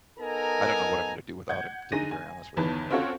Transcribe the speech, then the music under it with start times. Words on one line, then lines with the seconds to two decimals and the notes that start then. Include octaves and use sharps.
I don't know what I'm gonna do without him, to be very honest with you.
0.19 B3 D#4 A4 A#4 G#5 A#5
1.49 F#5 G6 G#6
1.92 D3 D#4 G#4 A#6 D#7
2.11 G#5
2.57 G1 E2 D#3 B4 A5
2.90 C4 C#4 F4 F#4 A4 C#5